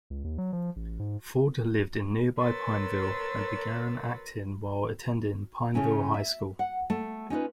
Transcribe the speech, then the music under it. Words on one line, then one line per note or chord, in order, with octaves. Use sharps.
Ford lived in nearby Pineville and began acting while attending Pineville High School.
C#2
D#2
F#3
F3
A1
G#2
A#4 B4 C#5 C6 E6 A6
C#3 A3 C#4 E4
E5
F#5
A3
C#4 D#4 F4 B4